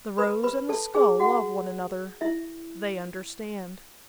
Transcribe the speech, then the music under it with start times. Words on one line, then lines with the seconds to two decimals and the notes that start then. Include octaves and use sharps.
The rose and the skull love one another. They understand.
0.18 B4 B5
0.44 B4 B5
0.69 A4 A5
0.95 G#4 G#5
1.20 F#4 F#5
2.21 E4 E5